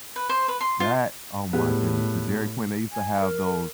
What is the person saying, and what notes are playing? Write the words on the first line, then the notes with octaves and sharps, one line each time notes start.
That, oh my goodness, the Dairy Queen, they used to have those
B4
C5
B4
C6
F4
A2 G3 G#3 B3
G#5
A#4